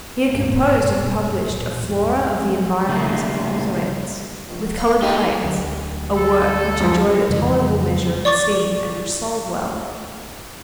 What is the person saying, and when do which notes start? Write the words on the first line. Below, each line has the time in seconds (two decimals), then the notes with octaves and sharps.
He had composed and published a Flora of the Environs of Cauteretz, with colored plates, a work which enjoyed a tolerable measure of esteem and which sold well.
0.28 G#1 C#2 G2 A#2 A#3
0.74 F#2 B2
1.45 C#2 A#2
1.75 A1 E2 G#2
2.31 F3 G3 G#3 C4
2.89 C#3 G3 A3 A#3
4.49 A#1
4.77 F5 C#6
5.02 G#3 C4 D#4 G4 A4
5.44 D2 F#3
6.15 A4
6.80 F#2 F3
7.30 F2 C#3 E3 G#3
8.25 D5 C#6 D6 A6